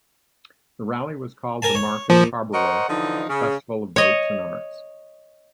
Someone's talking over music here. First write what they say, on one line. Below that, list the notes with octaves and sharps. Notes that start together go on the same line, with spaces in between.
The rally was called the Market Harborough Festival of Boats and Arts.
A#4 G#5 A5
C#5
A#2 F3
A#4 C5 C#5 D#5 F#5
D3 E3 F3 D#4
C#3
C#5 D#5